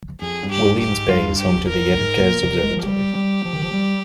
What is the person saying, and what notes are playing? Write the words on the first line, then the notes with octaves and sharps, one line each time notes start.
Williams Bay is home to the Yerkes Observatory.
F2 G#4
G2
G4
G2
G4
G#2
G2 F4
G4
F2
A#4
F2
G2
G#2
A#2
C3
G#3
F3
G3 G4
G3
F3
D#3
F3
G3